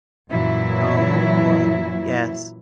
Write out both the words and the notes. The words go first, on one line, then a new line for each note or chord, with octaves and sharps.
Oh, boy, yes.
F#2 A#2 E3 F#3 E4